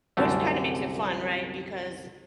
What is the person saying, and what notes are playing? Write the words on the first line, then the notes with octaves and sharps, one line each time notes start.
Which kinda makes it fun, right? Because,
C2 F#2 D3 A3